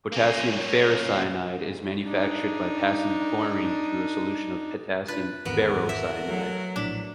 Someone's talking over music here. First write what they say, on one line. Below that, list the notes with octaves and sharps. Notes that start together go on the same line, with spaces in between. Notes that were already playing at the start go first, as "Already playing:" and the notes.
Potassium ferricyanide is manufactured by passing chlorine through a solution of potassium ferrocyanide.
A#3 C#4
D4 D#4
D4 F4 B4 A6
G#1 E2 B3 F#4 A4 A#4
E5
F#3 A3
A#1 A2 D4 B6